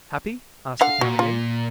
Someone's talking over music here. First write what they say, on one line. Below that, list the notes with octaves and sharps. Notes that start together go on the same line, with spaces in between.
"Happy?" asked the count again.
D3 F5 F#5
A#2 F#4
F4